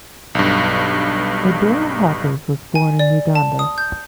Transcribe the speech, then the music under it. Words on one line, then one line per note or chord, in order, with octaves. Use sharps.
Odora Hoppers was born in Uganda.
B1 G2
G#5
D5
A5
D#6
G6